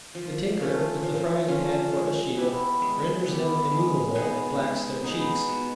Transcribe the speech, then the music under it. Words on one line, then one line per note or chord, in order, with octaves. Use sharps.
The tinker, with the frying-pan for a shield, renders them immovable, and blacks their cheeks.
F3
A3 C#4 F4
F3
A3 C#4 F4
G#3
B3 E4 G4
G#3
B3 E4 G4
G#3
B3 D#4 G#4
G#3
B3 D#4 G#4
B2